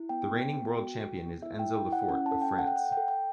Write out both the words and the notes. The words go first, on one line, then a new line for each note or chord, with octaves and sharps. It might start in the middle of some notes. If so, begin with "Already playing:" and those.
The reigning World Champion is Enzo Lefort of France.
Already playing: E4
B3 G5
B3
B3
F#4
A4
B3
E4 E5
G5
E4
G5
E4
F#5
C#4 F#5
A5
A4
G5
A4
F#5
G5
A4 F#5
G5
A4
G5